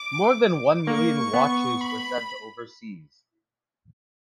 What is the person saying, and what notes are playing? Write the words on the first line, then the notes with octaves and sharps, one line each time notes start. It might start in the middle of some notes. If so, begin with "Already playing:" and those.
More than one million watches were sent overseas.
Already playing: D6
A#3 C#6
B3
B5